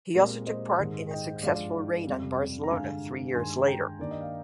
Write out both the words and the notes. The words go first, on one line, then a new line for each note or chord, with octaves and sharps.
He also took part in a successful raid on Barcelona three years later.
A#2 G#3 C4 G4 A#4
C5 D#5
G#2 D#3 G#3
D#5 G5
G2 F3 G#3 D5 F5
F2 C3 G3
A#5
G2 D3 G#3 F5 G#5
G2 D#3 G#3 G#5 C6
G5 A#5
G2 D#3 A#3 D5
D#5
F5